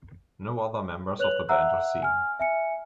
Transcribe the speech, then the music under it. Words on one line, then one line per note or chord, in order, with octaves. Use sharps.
No other members of the band are seen.
B4 C#5 F#6 F7 F#7
E5 F#5 A#5 E6 F#6
G#5 F6
E5 G#5 C#7